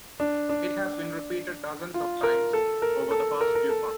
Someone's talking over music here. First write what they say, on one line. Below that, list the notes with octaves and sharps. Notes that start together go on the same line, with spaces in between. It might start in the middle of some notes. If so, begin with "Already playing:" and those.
It has been repeated dozens of times over the past few months.
D4
D4
F4
A#4
A4
A#4
A4
A#4
A#4
A4